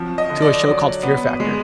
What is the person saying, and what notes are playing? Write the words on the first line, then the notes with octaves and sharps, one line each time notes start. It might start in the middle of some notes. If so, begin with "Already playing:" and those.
to a show called Fear Factor.
Already playing: F3 F#3 C4
D#5
D3
D5
F#3
B3
G#3